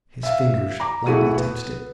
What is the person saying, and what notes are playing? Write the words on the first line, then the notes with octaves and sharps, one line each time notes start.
His fingers lightly touched it.
E5 F5
A#5 D6
B1 A3 E4 F#4 G#4 D#7
B3